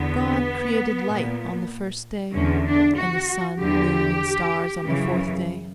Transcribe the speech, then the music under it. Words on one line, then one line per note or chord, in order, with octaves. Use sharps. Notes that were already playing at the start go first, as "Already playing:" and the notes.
God created light on the first day, and the sun, moon, and stars on the fourth day.
Already playing: E2 D3 B3
A#2
E2 D3 C#4
D4
F#4
E2 D3 G4
F#2 C#3 E3